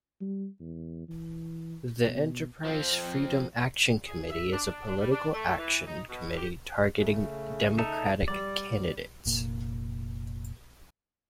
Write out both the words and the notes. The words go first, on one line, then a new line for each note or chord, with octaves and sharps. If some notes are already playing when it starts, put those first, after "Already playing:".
The Enterprise Freedom Action Committee is a political action committee targeting Democratic candidates.
G3
E2
E3
B2
F3 C4
G#4
E5
D4
D4
D4
G3
D4
A3
E3
D#4
B2
G4
C#3 A3
D#4 A4 E5
G3 D5
F1 A#2